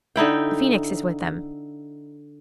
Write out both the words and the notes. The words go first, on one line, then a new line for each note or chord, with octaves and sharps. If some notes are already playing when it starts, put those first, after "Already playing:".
The Phoenix is with them.'
D3 D#4 E4 G5